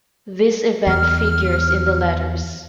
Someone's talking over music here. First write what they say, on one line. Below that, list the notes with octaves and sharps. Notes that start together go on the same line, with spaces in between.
This event figures in the letters.
E2 F6